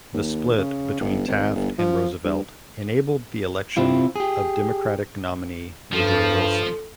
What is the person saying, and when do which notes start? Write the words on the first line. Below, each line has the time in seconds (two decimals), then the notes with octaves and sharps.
The split between Taft and Roosevelt enabled the election of Democratic nominee Woodrow Wilson.
0.13 D#2
0.58 C#3
1.00 G1
1.28 G#1
1.55 G1
1.79 F3
2.24 G2
3.77 C3 C4 E4 F4
4.16 G4 G#4
5.93 G2 F3 A4